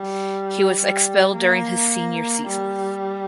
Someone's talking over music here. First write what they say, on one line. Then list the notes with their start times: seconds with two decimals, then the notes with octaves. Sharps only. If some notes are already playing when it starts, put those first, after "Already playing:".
He was expelled during his senior season.
Already playing: G3
0.81 G3
1.36 A#3
2.47 G3